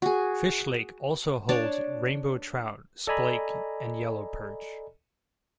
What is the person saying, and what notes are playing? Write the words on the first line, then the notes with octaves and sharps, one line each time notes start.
Fish Lake also holds Rainbow Trout, Splake and Yellow Perch.
F#4 G#4
D4 C#5 D5 A5
A4 D5 D#5 G#5 A#5 B5